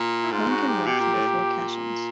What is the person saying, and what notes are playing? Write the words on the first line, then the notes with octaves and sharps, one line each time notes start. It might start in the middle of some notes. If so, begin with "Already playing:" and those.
One can walk through the four caissons.
Already playing: A#2
E4
G#2 F4
F#4
G4
B2 G4
A#2
A2
A#2